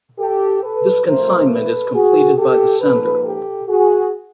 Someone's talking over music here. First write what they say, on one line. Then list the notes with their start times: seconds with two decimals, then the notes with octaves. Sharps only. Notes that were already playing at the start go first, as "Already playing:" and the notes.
This consignment is completed by the sender.
0.19 G4 A4
0.63 A4 B4
1.06 C3 F3 A3 A#4 C5
1.50 A4 B4
1.93 F#4 G#4
2.37 G4 A4
2.81 G#2 F3 A#3 A4 B4
3.25 G4 A4
3.68 F#4 G#4